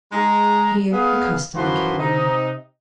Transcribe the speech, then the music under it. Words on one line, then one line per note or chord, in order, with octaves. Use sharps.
Here a customer came in.
G#3 A#5
B3 G#4 F5
F#2 E3 F3 F#4 B4 C6
C3 D#4